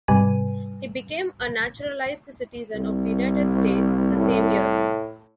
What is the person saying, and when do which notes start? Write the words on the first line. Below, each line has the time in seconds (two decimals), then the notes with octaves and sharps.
He became a naturalized citizen of the United States the same year.
0.08 G#2 C3 G3 B4 G#5 D#7
2.75 C2
4.11 A2